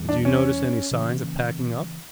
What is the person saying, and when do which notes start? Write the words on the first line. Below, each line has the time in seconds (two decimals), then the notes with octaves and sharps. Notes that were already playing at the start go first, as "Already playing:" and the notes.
'Did you notice any signs of packing up?'
Already playing: E2 E3 G3
0.09 D4
0.25 C#4
0.91 C#3 E3 A#3 C#4